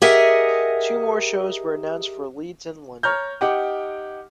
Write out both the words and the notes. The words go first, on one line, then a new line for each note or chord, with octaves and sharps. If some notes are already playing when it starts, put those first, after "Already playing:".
Two more shows were announced for Leeds and London.
G4 G#4 A#4 D#5 E5 F#5
C#5 A#5 F6 G6
D#4 G4 F#5 D6